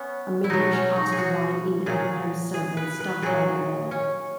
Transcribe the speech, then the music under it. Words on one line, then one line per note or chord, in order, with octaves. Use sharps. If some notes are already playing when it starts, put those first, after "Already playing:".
A Midrash asked why, in Abraham's servant stopped by the well.
Already playing: B3 C#4
E4
B2 F#3 D#4
C#4
D#4
G#4
F#4
A#2 F#3 G#4
G#4
B4
B4
A#2 F#3 G#4
C#4